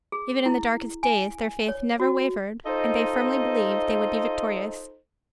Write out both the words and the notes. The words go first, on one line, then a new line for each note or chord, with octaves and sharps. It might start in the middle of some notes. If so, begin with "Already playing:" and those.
Even in the darkest days their faith never wavered and they firmly believed they would be victorious.
G#4
E4
G#5
C#5
F#4
D#4 F4 A4 C5 D#5